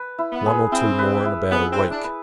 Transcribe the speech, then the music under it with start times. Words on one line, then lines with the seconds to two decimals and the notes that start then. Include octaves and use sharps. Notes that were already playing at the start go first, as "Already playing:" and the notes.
One or two more in about a week.
Already playing: B4
0.19 E4
0.32 B3
0.46 G#4
0.72 C4 E4
0.99 B4
1.25 E4
1.51 B3 G#4
1.71 C4
1.78 E4
1.91 D4
2.04 B4